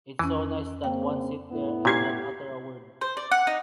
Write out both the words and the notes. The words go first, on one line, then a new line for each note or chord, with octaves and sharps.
It’s so nice that one sit there and not utter a word.
F2 E3 C#4
C#3 A#3 C4 G5
A2 B3 E4
A#2 C#4 G4 G#6 C7
C5
D5
F#5
D#4